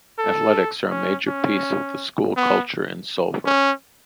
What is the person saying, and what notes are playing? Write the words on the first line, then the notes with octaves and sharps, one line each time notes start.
Athletics are a major piece of the school culture in Sulphur.
A4
C#4
C#4
B3
C#4